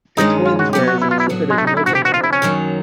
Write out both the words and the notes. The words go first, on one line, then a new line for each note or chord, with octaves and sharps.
The twins were as insipid as milk and water.
G2 D#3 G#3 C#4 D#4
F4
F#4
B2 F#3 B3 G4
F#4
E4
F4
E4
A2 F#3 B3 D4 F#4
G#3
A3
D#4
E4
D2 C3 F3 F#4
G4
F#4
F4
E4
C#4
F#2 D#3 F#3 A#3